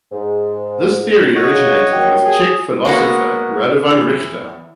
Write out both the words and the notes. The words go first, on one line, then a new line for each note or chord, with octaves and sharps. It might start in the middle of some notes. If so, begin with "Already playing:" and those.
This theory originated with Czech philosopher Radovan Richta.
G#2
F#4 C#5 D#5
C#3
D#2 F#3 G5
G#4
G#3 A#3 B3 F#4
E2